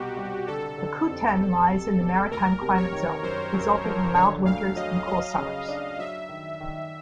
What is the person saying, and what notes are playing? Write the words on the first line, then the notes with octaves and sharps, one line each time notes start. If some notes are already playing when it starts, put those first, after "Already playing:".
Akutan lies in the maritime climate zone, resulting in mild winters and cool summers.
Already playing: C2 B2 F#4 G4
C2
D3 A4
D3
F2
E2
C3
E2
D2 A#4
C3
C#5
D#3
F#2 C5
F#2
F3
D3 C#5
D2 F5
F#3 D#5
F#3 D#5
C#3
D4
F#3 E5
D#3
D#3